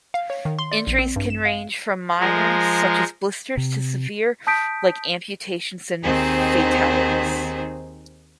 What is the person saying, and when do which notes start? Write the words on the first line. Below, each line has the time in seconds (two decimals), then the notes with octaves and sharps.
Injuries can range from minor such as blisters to severe like amputations and fatalities.
0.14 F5
0.30 C#5
0.45 D#3
0.59 C6
0.72 D5
0.87 A#1
0.99 C4
1.16 G2
1.30 E7
1.45 F5
2.20 F3 G#3 A#4
3.57 C3
4.47 A5 D#6 G6 B6 D7
6.03 D#2 D#3 C4 D#4 G#4 C5